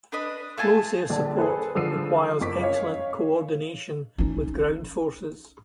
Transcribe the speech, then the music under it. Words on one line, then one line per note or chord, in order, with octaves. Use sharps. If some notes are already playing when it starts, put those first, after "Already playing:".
Close air support requires excellent coordination with ground forces.
D4 B4 D#5 B5
A3 F4 G#5 A5
A#1 D3 D5 A5
G#4 A4 B4 C5
D3 F3 E6 C7 D#7
F#1 F2 C#6 D6 B6
C#4 C#5 D#5 F5
C#4 D#4